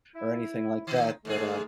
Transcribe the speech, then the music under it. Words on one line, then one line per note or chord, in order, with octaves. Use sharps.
or anything like that, but, uh
E4
D#3 D#4
D#2 G#2 A3 G#4